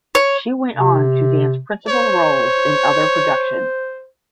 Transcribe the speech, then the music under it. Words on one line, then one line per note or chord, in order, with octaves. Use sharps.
She went on to dance principal roles in other productions.
C#5
C3
C5 C#5